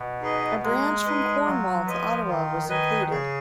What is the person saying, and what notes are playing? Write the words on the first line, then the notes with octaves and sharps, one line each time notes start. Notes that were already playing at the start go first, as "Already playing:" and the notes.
A branch from Cornwall to Ottawa was included.
Already playing: B2
D#4 G#4 B4 D#5
G#3 A#3
D#4 G#4 B4 D#5
F#3 F4
F3 B4 D#5 G#5
D#3 F4
D#3 B4 D#5 G#5
C#3 G#4